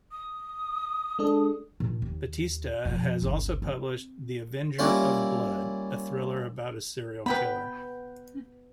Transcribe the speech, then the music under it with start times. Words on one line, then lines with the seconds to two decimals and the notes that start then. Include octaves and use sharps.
Batista has also published "The Avenger of Blood", a thriller about a serial killer.
0.11 D#6
1.19 G#3 D4 A4
1.80 A#2 D4
2.02 D#2
2.85 F2 B2
3.22 G1 C#2
3.62 C4
4.79 G3 A#3 C#4 E4 F4
7.26 B3 B4 G5 B5